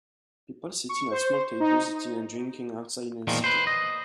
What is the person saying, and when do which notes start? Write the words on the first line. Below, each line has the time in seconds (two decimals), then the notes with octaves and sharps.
People sitting at small tables eating and drinking outside in a city.
0.89 C#6
1.11 C5
1.60 D#4
3.27 E2 A#2 D#3 F3 G#3
3.44 B4 C5
3.67 D#5